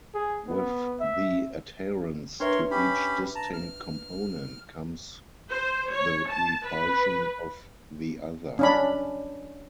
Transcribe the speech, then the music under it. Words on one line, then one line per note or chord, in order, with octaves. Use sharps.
With the adherence to each distinct component, comes the repulsion of the other.
G#4
B3
E5
D4 A#4 B4 C#5 E5 C6
C#4 G4 B5
A5 A#5
F6
C5
C#5
A5
B4
C#4 D4 B5